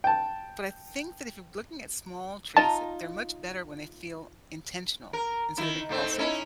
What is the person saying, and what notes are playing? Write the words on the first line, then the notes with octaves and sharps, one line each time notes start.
but I think that if you're looking at small treats, they're much better when they feel intentional instead of impulsive,
G5 A5
D#4 F4 A5 A#5
A#4
D#3 E4
G#2 A3 C4
C#4 D#4 E4